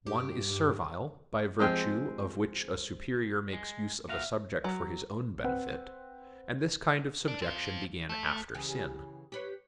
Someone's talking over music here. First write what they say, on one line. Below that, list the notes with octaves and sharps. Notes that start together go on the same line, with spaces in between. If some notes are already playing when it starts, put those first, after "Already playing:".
One is servile, by virtue of which a superior makes use of a subject for his own benefit; and this kind of subjection began after sin.
G2 G4
F3 G#3 C4 G4
G#3
A#2 F#4 E5 F5
F#3
C4 B4 F#5
D4
C4 F4
A3
C#3 E3 G4
G4 B4 C#5